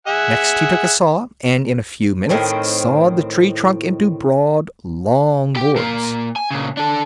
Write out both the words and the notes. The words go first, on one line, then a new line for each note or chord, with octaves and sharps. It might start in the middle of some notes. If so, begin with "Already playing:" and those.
Next he took a saw and in a few minutes sawed the tree-trunk into broad, long boards.
G#4 E5 F#5
A2 D#3 C4
G4 G5
A#2 A#3
G#5
A#2 C#3
D4 A4